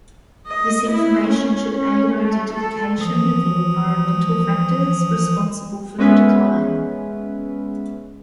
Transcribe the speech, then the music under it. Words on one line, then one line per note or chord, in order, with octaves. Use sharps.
This information should aid identification of the environmental factors responsible for the decline.
D#5
E4
C#4
C#4
A3
A4
E3 F3 D#6
G#3 B3 C#4 B4 E5